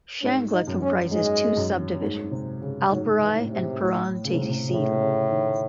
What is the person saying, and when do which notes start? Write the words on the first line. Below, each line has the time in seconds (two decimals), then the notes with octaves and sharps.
Shangla comprises two sub division, Alpuri and Puran Tehsil.
0.22 G#2 C#4
0.52 D#4
0.67 F#2
0.82 C#4
1.12 G#2 G#3
1.57 F#2
2.01 G#2
2.31 C3
2.61 C#3
2.90 G#2 F#3
3.21 E3
3.35 A2
3.50 C3
3.81 A2
4.25 C#3
4.34 C3
4.42 A2
4.49 C3
4.70 A2 C#3
5.00 C#3
5.30 D#3